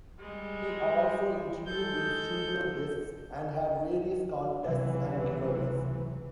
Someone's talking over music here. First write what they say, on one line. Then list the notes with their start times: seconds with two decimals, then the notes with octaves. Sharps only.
He also interviewed in-studio guests and had various contests and giveaways.
0.19 G3 G#3
1.66 G#3 A4 G6
4.63 C#2 C3 E3 F#3